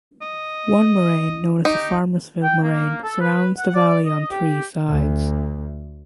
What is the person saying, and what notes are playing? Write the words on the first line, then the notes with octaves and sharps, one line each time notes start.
One moraine known as the Farmersville moraine surrounds the valley on three sides.
D#5
D#4 G4
G5
A#3
A4
B4
F#5
D5
D#5
G4
D2